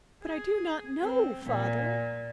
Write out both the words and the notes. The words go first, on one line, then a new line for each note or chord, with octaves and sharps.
"But I do not know, Father!"
G#4
C4
A#2